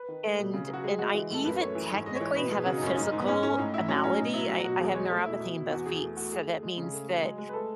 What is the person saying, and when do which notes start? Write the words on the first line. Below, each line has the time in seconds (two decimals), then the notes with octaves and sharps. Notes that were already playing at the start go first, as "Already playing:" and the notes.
and and I even technically have a physical eh malady. I I have neuropathy in both feet, so that means that,
Already playing: B4
0.08 D#3
0.24 A3
0.39 B2
0.54 C#3
0.69 F#3 F#4
0.84 G#3 G#4
0.99 G#3 F#4
1.14 E3
1.30 A2 A4
1.44 F#2 B4
1.60 A3 C#5
1.75 E3
1.91 G#2
2.06 G#3 D#5
2.15 C#5
2.20 E3
2.26 C#5
2.36 B2 B4
2.51 B2 G#4
2.66 C#3 F#4
2.77 D#4
2.82 F#2
2.87 C#4
2.97 G#2 D#4
3.12 G#2
3.19 B3
3.27 G#2 C#4
3.43 G#2 C#4
3.58 A2 D#4
3.73 A2 E4
3.88 F#3 C#4
4.04 A2 C#4
4.18 B2 D#4
4.34 F#3 E4
4.49 F#3 F#4
4.64 B2 F#4
4.80 E2 G#4
4.95 G#3 C#5
5.10 A3
5.25 B2 E4
5.40 B2
5.55 B2
5.71 E2 F#4
5.86 E2 G#4
6.02 A3
6.17 A3 F#4
6.32 A3 G#4
6.47 A3
6.63 G#3
6.78 C#3
6.93 A3
7.09 F#3
7.23 G#3
7.38 G#3
7.49 B4
7.53 A3 A4